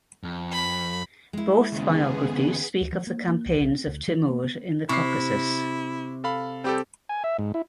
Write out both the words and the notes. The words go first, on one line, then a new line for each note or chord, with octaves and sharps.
Both biographies speak of the campaigns of Timur in the Caucasus.
F2
B5
G#3 E4
D#2 C#3 B3 G#4
D2
F3
A#3
A#3
C2
B1
C4
D2
E3
A#3
B3
C3 E4 C#6 C7
A4 F5 B5
G3 C4 G4 A4
G#5
E5
G#2
E4